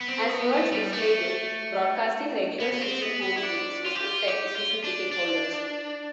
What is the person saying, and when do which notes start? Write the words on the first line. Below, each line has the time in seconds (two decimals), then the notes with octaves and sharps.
As Wirtz explained it, broadcasting regular-season home games was unfair to season-ticket holders.
0.01 B3
0.08 C4
0.29 B3
0.51 A3
0.72 G3
0.93 A3
2.60 B3
2.72 B3
2.81 C4
3.02 B3
3.23 B3
3.37 E4
3.43 D4
3.86 F4
3.95 G4
4.05 F4
4.28 G4
4.55 F4
4.84 D4
5.12 D4